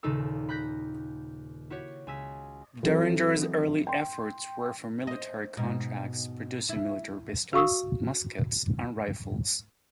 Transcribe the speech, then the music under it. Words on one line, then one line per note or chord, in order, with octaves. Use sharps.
Deringer's early efforts were for military contracts, producing military pistols, muskets and rifles.
D#1 D#2 C#3 D#4 A4 E6
B5 F#6 G6 A#6 B6
E4 F#4 G4 C#5
C#2 G#5 E6 B6
E3 F#3 C4 A4
G5 C6
C5 D#5
G#2 B2
E4
F#4 F5 C#6 D#6 E6